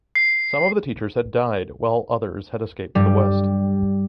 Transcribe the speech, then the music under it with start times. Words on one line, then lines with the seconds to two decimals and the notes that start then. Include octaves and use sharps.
Some of the teachers had died while others had escaped to the west.
0.15 C7
2.95 G2 G3